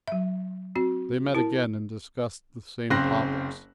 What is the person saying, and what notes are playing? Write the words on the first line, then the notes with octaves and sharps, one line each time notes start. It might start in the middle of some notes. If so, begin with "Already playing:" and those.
They met again and discussed the same topics.
F#3 E5
C4 F#4
E4 A#4 A5
F#1 C#3 C4 C6 F#6 A#6